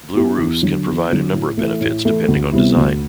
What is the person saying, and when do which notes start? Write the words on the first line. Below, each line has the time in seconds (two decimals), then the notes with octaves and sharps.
Blue roofs can provide a number of benefits depending on design.
0.14 B3 E4 G4
0.38 E2
0.62 D3 F#3
0.86 E2
1.10 D3 F#3
1.33 A2
1.57 E3 A3 E4
1.81 A2
2.05 E3 A3 E4
2.28 D2
2.52 C3 G3 B3 E4
2.76 D2